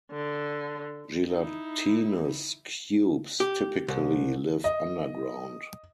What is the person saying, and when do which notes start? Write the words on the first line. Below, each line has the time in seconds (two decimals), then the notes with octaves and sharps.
Gelatinous cubes typically live underground.
0.11 D3
1.31 D#4 E4
3.40 G4
3.88 C2
4.64 D#5